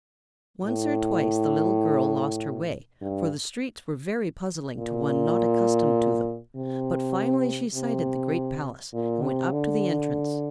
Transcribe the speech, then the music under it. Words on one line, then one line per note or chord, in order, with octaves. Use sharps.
Once or twice the little girl lost her way, for the streets were very puzzling to one not accustomed to them, but finally she sighted the great palace and went up to the entrance.
A2
G2
A#2
C3
C3
A#2
C3
D3